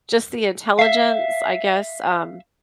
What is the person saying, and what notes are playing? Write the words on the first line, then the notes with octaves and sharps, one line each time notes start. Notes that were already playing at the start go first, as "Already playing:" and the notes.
just the intelligence, I guess, um,
E5 F5